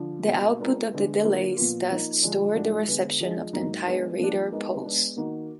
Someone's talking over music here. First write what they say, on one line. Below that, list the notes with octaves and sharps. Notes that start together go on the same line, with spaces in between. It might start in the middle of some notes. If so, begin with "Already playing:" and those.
The output of the delays thus stored the reception of the entire radar pulse.
Already playing: D3 F3
B2 A#3 D4 F#4
G#3 B3 D4 F4 A#4
D3 G#3 B3
D3 F#3 A#3 F4 A#4
A#2 F3 B3 F4
F3 A#3 D#4
D3 F3 G#3 D4
G#2 F3 G#3 D4 F#4
D3 G#3 B3
F3 G#3 D4 G#4 D#5
G#2 F#3 A#3 D#4
G#3 B3 D4
F3 A#3 D4
G#3 B3 D#4 A#4 D#5
G#3 B3 D4
D#3 A#3 D#4 F#4